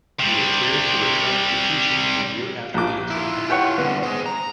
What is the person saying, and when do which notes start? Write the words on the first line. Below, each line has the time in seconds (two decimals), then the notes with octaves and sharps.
He was cleared to return to teaching a year after the incident.
0.20 C3 G3
2.74 A#1 D6
3.10 E4 F4
3.50 C#5 F#5 G5
3.78 C2 D3 B3
4.03 G#4 C5
4.26 A#5